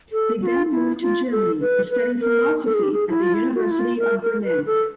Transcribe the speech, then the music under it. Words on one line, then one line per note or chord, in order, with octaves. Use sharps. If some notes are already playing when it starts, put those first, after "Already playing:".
He then moved to Germany, to study philosophy at the University of Berlin.
A4
F#4
F4
E4
F4
A4
B4
B4
A#4
A4
G#4
G4
G#4
E4
F4
E4
F#4
F4
E4
F4
A#4
A#4
B4
A4